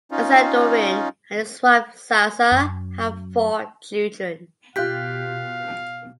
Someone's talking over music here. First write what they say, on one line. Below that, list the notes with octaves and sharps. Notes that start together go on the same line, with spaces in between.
Assadourian and his wife Zaza have four children.
C#4 D#4 F4
F#2 F#3
B2 F4 G4 F5 F#6 G6 B6